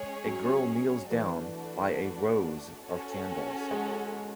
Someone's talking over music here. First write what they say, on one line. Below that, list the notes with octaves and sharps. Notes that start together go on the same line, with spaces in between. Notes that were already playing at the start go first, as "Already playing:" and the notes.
A girl kneels down by a rows of candles.
Already playing: G#3 C#4 G#4 C#5
F#3
E3 A3 D4 F#4
C#4 F#4 A4
G#3